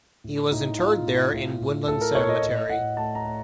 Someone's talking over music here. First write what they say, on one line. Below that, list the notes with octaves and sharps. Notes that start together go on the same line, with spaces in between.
He was interred there in Woodland Cemetery.
A2
A2 D#4
A2 F4
A2
A2
A2
A2 A4
A#4
A2 C#5
D#5
A2 D#5
A2 F#5
A3 A5
A#5
A3